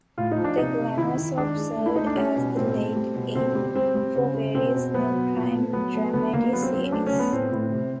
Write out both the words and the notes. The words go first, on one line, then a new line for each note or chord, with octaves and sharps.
The glamor soap served as the lead-in for various new crime dramedy series'.
A2 F4
D#4
F3
D4
C3 D#4
C3
D#3 E4
D#3
G#3 D4
G#3
A3
E4
A3 D#4
D4
G3 C#4
B2
A2 C4
A3
G3
B2
D3 C4
G3
G3 C4
G3
C#3
C#3
B2 C4
B2
F#3 B3
B2
A#2
A3
F#3 B3
A3
D3 B3
D3 A#3
F#3 B3
C4
F#3 C4
C#4
A3 D4
C#4
D3
B3
A2 C4
A2
C3